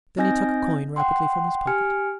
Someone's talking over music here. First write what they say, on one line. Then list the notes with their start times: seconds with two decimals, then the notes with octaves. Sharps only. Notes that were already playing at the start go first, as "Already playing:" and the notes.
Then he took a coin rapidly from his pocket.
0.17 C4 D#4 D#5 G#5 G6 A#6
0.96 F#5 G5 C6
1.67 G4 G#5 F6 C#7